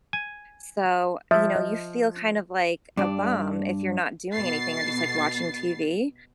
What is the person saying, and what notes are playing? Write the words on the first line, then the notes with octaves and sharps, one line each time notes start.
So, you know, you feel kind of, like, a bum, if you're not doing anything, or just, like, watching TV.
G#5
F3 E5
D#5
G2 D4
B2 A6 C7